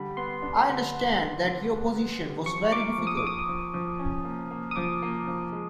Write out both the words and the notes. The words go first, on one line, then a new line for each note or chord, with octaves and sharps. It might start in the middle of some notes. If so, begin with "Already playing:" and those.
I understand that your position was very difficult.
Already playing: D3 G3 B5
B3 C6
D4
D3
B3
D3
D3
B3
B3
G3
F3 C#6
A#3 D6
F3
D#6
D6
A#3 D#6
F3
F3
C#4
A#3
A#3
D#6
F3 D6
A#3
F3
G#3